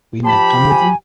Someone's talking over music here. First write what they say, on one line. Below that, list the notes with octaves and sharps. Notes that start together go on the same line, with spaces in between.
We may come with you?
F3 G4 A5 B5
G#5